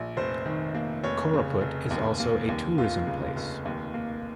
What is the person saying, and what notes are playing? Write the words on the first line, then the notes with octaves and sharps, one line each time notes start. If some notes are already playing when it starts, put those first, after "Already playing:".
Koraput is also a Tourism Place.
Already playing: A#1
F1 C5
D#3
A#3
F1 C#5
C#3
F1
D#2
A#3
D#2
F1 F4
C#3
F1
D#2
A#3